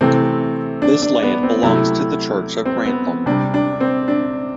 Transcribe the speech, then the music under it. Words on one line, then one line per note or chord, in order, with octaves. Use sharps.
This land belongs to the church of Grantham.
C3 E3 A3 C4
D4
D4
B3
C4
C3 F#3 A3 E4
C4
B3
C3 G3 D4
D4
C4
D4